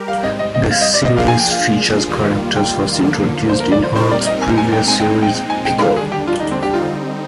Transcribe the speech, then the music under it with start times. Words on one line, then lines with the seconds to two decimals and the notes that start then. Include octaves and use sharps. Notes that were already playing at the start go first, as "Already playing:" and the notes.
The series features characters first introduced in Horrocks' previous series, "Pickle".
Already playing: G3 G4 A#4
0.08 F5
0.23 G#2 G3 C4 D#5
0.39 D#5
0.55 D#5
0.71 F5
0.81 D#5
0.94 D5
1.05 D#5
1.16 F3 A#3 D4 F4 G#4 F5
1.28 G#5
1.40 G5
1.51 F5
2.09 D#2 D#3 G3 A#3 F4
2.56 G5
3.02 D#2 D3 F3 A#3
3.49 C5
3.60 A#4
3.72 D5
3.84 C5
3.95 A#2 G3 C4 D#4 A#4 C5
4.11 D5
4.26 D#5
4.42 G#5
4.58 G#5
4.73 G5
4.88 A#2 G#3 C4 D#4 G#5
5.00 G5
5.23 G5
5.34 G5
5.50 G#5
5.65 G5
5.81 D#2 D3 G3 D4 F5
5.96 G#4
6.12 G4
6.27 F4
6.40 D#4
6.51 C4
6.62 G4
6.74 D3 G3 C4 D#4 F4